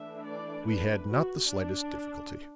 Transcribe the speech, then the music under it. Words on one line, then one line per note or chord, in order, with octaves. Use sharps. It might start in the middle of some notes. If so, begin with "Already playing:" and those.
"We had not the slightest difficulty."
Already playing: E3 A3 D4 E5
D5
B4
F#4
D4